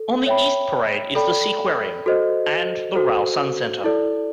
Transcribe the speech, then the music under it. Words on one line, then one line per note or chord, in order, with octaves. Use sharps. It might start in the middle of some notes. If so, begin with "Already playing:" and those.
On the East Parade is the SeaQuarium and the Rhyl Suncentre.
Already playing: A4
C#5 E5 G5 B5
A4 D5 G5 B5
F#4 A4 C5 D#5
F#4 A4 C5
E4 A4 D5